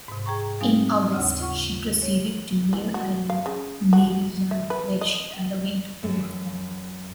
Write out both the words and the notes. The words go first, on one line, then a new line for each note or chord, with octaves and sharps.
In August, she proceeded to Mare Island Navy Yard where she underwent overhaul.
G#2 C3
G#4 G5 A#5 C#6
G3 C4 D#4 F5 G#5
D#2 C#3 D4 F#5 F6
F4 F#5 C#6
C#5
E3
F#4
F5
C#3
F#4
E5
B4
D#5
F#2